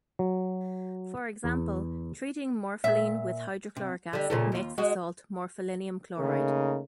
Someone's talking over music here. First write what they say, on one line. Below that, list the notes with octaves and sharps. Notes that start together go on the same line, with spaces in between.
For example, treating morpholine with hydrochloric acid makes the salt morpholinium chloride.
F#3
E2
A#2 E5
C3
D3 G3
A#2 C#3 A3
D#2 F4
G#3 F#4
C#3 A3 A#3 D#4 A#4